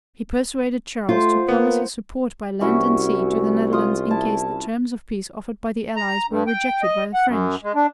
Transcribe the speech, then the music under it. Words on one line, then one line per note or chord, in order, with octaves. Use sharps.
He persuaded Charles to promise his support by land and sea to the Netherlands in case the terms of peace offered by the allies were rejected by the French.
A3 F4 C5 F#5
A#3 B3
C2 C#4 E4 F#4
F4 D#6
E4 A5
A#5
G2
G5
D#5
F#5
F#2
G#3
D4